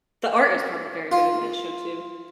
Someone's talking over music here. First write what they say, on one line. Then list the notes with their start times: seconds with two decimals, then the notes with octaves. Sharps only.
the art is probably very good in that show too,
1.12 F4